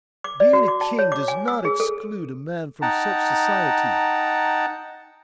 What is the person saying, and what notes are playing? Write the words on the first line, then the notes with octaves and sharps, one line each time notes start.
Being a King does not exclude a man from such society.
D6
D5
F#4
D6
A5
C#5
D6
G#5
E6
G#4
A4
D#4 F#5 G5 A5 A#5